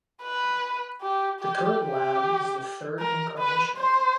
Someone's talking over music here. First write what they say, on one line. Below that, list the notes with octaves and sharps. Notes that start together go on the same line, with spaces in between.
The current lab is the third incarnation.
B4
G4
G4
G4
A#4
B4
C5